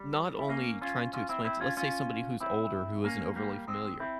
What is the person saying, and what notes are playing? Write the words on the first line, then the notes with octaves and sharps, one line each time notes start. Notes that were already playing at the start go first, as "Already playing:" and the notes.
not only trying to explain to let's say, somebody who's older, who isn't overly familiar,
Already playing: G3
E4
A#3 C#4
C#4 F4
C#4 F4
C4 E4
C4 E4
C#4 F4
C#4 F4
C4 E4
A#3 C#4
G3 A#3
G#3 C4
C4 E4